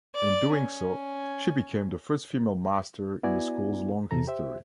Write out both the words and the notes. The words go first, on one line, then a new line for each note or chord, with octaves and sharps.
In doing so, she became the first female master in the school's long history.
D5
C#4
B3 E4 F#4 D5 G#5
E2 C3 A4 A#5
G4 C5 E5